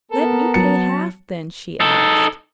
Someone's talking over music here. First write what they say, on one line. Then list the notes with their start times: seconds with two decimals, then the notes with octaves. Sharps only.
'Let me pay half, then,' she asked.
0.11 B3 A4 A#4
0.54 F#3 A5 C#7
1.80 D#4 A4